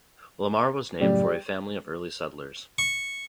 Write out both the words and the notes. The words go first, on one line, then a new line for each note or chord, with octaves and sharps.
Lamar was named for a family of early settlers.
F#2 A2 C#3 G3
G5
C#6